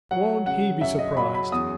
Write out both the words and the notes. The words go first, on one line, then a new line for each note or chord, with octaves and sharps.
"Won't he be surprised!"
F#3 F#5
C#3 F#5
F#2 E5
D#5
F#3 B5
B5
E2 D#6